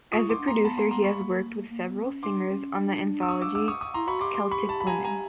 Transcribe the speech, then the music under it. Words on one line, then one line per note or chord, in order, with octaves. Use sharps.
As a producer, he has worked with several singers on the anthology "Celtic Woman".
F4 C#6 D#6
E4 C6 D6
D4
B3 A#5 C6
A5 B5
A#5 C6
A#5 C6
B5 C#6
A#3
A#3
B3
C#4
D4 C6 D6
C#4
D4
E6
C#6 D#6
D6 E6
D6 E6
C#6 D#6
C#6 D#6
E4 A#5 C6
F#4 B5 C#6
G4 C6 D6
C6 D6
B5 C#6
A5 B5
B5
G#5 A#5
G#5 A#5